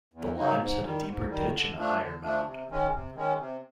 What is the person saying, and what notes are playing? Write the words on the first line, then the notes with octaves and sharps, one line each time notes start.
The Limes had a deeper ditch and a higher mound.
E2
C#3 F#3 A#3 D#4
G#2
D#3 G3
G#2
D#3 G3
D3
F3 A3 D4
D3
F3 A3 D4
C3
D#3 G#3 C#4
C3
D#3 G#3 C#4
C3